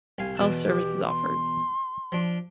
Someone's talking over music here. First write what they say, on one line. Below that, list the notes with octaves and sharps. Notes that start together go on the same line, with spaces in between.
Health service is offered.
C2 F5 G#5
E2 B2 A5
G4
C6
F3 D4